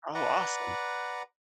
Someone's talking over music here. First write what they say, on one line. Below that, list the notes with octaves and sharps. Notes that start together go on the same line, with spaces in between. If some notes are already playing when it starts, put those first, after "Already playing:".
Oh, awesome.
B4 D5 F#5 A#5